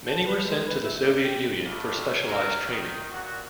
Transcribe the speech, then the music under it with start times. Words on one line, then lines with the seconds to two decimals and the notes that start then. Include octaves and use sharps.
Many were sent to the Soviet Union for specialised training.
0.07 A5
0.25 B4
0.45 G#3
0.66 B4
0.83 E5
1.01 D5
1.22 G4
1.65 C2 G3 A3 D4 D#4 F4
2.26 F#3 A#4
2.68 D#3
3.10 A#2 F#4